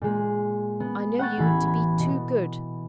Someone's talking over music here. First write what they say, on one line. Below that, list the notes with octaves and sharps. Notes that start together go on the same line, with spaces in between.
I know you to be too good.
A#2 G#3
B3
F#5 G5 C#6 A6
A1 E3 B5 G#6
B5
B2